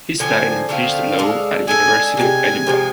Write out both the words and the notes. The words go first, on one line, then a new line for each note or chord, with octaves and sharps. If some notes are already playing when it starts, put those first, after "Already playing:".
He studied and finished law at University of Edinburgh.
D3 F3 A3 C4 G#5
D3 F3 A3 C4 F5
G#3 D4 A4
G#3 D4 A4 G#5
C3 F3 G#3 G#5
C3 F3 G#3